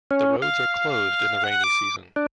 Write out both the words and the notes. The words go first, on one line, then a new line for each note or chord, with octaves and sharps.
The roads are closed in the rainy season.
C#4
F5
F#5
D6
D4